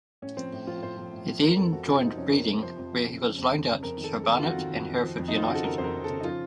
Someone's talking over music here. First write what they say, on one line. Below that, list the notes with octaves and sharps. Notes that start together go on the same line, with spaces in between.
He then joined Reading, where he was loaned out to Barnet and Hereford United.
A2 C#4
F3 C4
A2
F3 F4
A2 C5
F3
A2
F3
F3 A#4
F2 A4
F2 F#4
C3 F4
F3 D#4
F2 C#4
F2 A#4
C3 A#4
F3 C5
F2
F2
C#3
F3
F2
F2
C#3
F2 A#4
D#3
A4
F2
D#3 A4
F4
F2 F#4
D#3
F2
D#3
F3
F2
D#4
F2 F4
C#3 F#4
A4
F3 A#4
F2 C5
A#4
F2
A4
C#3
D#4
F3 F4